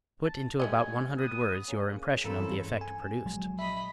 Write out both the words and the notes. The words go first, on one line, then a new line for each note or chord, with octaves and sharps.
Put into about one hundred words your impression of the effect produced.
A5
G3 A3 D#5 G#5
B3 D#6
C#3 A#3 C#4
G2 E3 A#3 C4 E4 A4
G#5
A#1 F#3 G#3
D#5 E5 B5